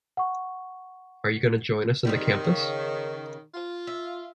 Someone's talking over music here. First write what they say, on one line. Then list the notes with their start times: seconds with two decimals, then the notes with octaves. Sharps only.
Are you gonna join us in the campus?
0.17 F#5 C#6
2.05 D#3 G3 B3 C4
2.44 C#3
3.54 F4
3.87 E5